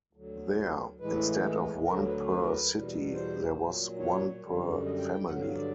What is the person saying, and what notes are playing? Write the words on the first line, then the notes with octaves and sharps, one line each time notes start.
There, instead of one per city, there was one per family.
D2 D3 F#3
A2 E3 G#3 B4
D2 D3 F#3 A#4
B4
B4
A#4
B4
E2 B2 G3
C5
A#2 F#3
C#5
F#2 D3 G3
D#5
G5
G5
G2 D3 F#3 F#5
F5
D5